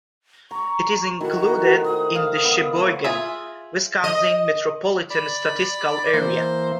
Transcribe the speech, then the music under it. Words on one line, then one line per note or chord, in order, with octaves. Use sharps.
It is included in the Sheboygan, Wisconsin Metropolitan Statistical Area.
A#5 C#6
D#3 A3 E4 F#4
C5 D#6
F5
B3
A3 C5 C#5
F4 G#4 E5
D#5
D5 B5
E3 A#3 C5